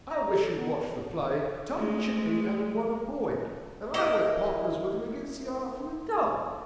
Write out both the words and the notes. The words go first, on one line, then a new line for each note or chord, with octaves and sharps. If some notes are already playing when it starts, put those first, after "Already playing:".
'I wish you had watched the play. Tommy Chitling hasn't won a point; and I went partners with him against the Artfull and dumb.'
A#5
A4
B3
G#3 A3
A#3 E4 A#4 D#5